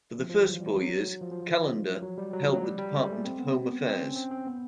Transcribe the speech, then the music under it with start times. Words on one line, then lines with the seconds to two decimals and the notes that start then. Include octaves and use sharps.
For the first four years, Calonder held the Department of Home Affairs.
0.19 F3
0.30 F3
0.40 E3
0.50 F#3
0.60 G3
0.70 G#3
0.80 F#3
1.21 F3
1.31 F3
2.02 F#3
2.18 G3
2.33 F#3
2.43 F3
2.53 F#3
2.64 G3
2.78 G3
2.94 G#3
3.09 A3
3.25 C4
3.39 B3
3.86 C4
4.01 C#4
4.16 C4
4.31 C4
4.47 B3